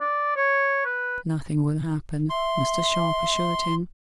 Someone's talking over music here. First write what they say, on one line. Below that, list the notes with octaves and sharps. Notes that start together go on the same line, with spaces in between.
"Nothing will happen," Mr. Sharp assured him.
D5
C#5
B4
E5 C6